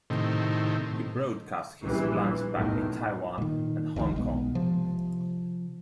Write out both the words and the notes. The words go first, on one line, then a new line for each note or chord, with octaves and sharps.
He broadcast his plans back in Taiwan and Hong Kong.
A2 C3 D#3
A#1 E3 G3
B1 E2 A2 D#3
A#2 D#3
F1 C2 B2 D#3
B1 G#3 B3
C3 F3